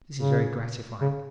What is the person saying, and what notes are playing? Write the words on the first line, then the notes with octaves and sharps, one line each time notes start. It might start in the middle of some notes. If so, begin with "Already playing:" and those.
This is very gratifying.
C#3
C#3